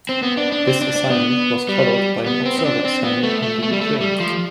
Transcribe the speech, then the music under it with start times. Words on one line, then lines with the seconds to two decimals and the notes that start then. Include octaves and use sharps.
This assignment was followed by an observer assignment in the Ukraine.
0.09 C4
0.23 B3
0.37 D4
0.52 D4
0.67 C4
0.82 D4
0.96 D4
1.10 B3
1.69 G3
2.26 B3
2.45 C4
2.59 C4
2.65 D4
2.85 C4
3.04 B3
3.23 A3
3.42 A3
3.63 A3
3.72 G3
3.81 A3
4.01 G3
4.20 F3